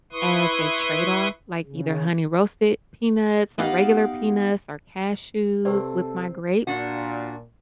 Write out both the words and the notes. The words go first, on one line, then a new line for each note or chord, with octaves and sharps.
as a trade off like either honey roasted peanuts or regular peanuts or cashews with my grapes
E4 B4 C6 C#6 D#6
C#3
B3 D#4 G4 F5 F#5
C3 C4 G4 A4 B4 D5
A#2 D4 F#4